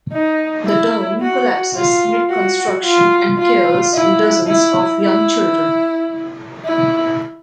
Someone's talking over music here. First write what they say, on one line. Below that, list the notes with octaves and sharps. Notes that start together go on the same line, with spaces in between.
The dome collapses mid-construction and kills dozens of young children.
D#4
E4
F#4
F4
F#4
F4
F4
E4
E4
E4
E4